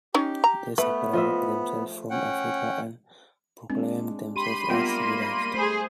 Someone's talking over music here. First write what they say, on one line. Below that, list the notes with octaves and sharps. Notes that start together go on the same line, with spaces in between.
They separated themselves from Africa and proclaimed themselves as civilized.
C#4 D#4 G4
A#5
A3 B3 B4
F3 D#5 E5
C#4 F#5 G5
G#3 C4 D4
G4 B5 C6 D#7
G3 A#3 B3 F4 A#4 E5 G5
A3 G#4 C5